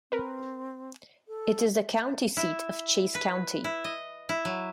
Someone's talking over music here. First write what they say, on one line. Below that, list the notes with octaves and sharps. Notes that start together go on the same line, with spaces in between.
It is the county seat of Chase County.
C4 A#4 B4
A4
E4
B4
E4
D#5
E4
F#3